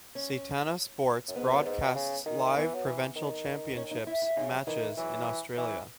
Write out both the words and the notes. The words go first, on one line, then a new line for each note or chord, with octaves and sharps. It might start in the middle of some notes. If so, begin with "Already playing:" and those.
Setanta Sports broadcasts live Provincial championships matches in Australia.
C#4
F#2
G#2 B3
F#2
G#2
B2
C#3
D#3
D#3
E3 B3
F#3
E3
D#3
C#4
D#4
E4
E4
C#3 D#4
F#3
D#3 E3
E3
E3 F#3
E3